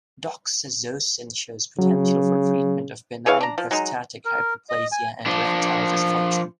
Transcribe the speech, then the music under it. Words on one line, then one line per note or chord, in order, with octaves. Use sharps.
Doxazosin shows potential for treatment of benign prostatic hyperplasia and erectile dysfunction.
C#3 F#3
E3 G#4 C#5 F5
D4 A#5
F3
F#3 G#3 D#4
A#4
D#5
G#5
F3 D4